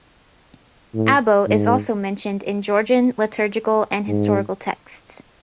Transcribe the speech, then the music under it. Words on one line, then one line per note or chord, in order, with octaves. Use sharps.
Abo is also mentioned in Georgian liturgical and historical texts.
A2
G#2
G#2